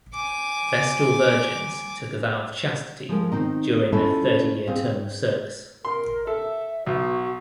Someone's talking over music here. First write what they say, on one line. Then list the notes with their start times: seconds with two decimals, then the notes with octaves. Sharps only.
Vestal Virgins took a vow of chastity during their thirty-year term of service.
0.14 G#5 D6
3.09 F3 G#3 A#4
3.32 D#3 C4 D#4
3.92 C#4 E4 F4 A4 B4 C5
4.67 C4 G#4 F5
5.85 A#4 C6
6.27 A4 E5
6.86 B1 F#4